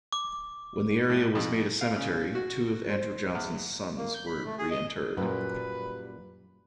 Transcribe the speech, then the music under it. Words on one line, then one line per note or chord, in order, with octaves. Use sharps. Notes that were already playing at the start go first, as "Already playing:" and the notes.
When the area was made a cemetery, two of Andrew Johnson's sons were reinterred.
D6
A2
F2
F5
C#3
F#4
C5
E2
A#3
G6
B5
A3
G#4
D#5
F#2 A#2 G3 A#3 B4